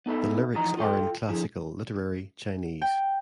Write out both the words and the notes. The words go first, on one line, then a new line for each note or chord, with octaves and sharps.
The lyrics are in classical literary Chinese.
B3 D#4 A4 B4 E5
E3 F3 D#4 F#4 D#5 A#5
F4 A4 G5 C6
D3 F3 E4 G#4
G5